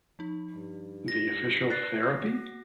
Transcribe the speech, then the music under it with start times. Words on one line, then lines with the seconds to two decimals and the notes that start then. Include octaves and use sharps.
The official Therapy?
0.19 F3 D#4
0.55 G2
1.08 A#6
1.70 B4 D5 F#6 A6 C7
2.22 A#3 F#4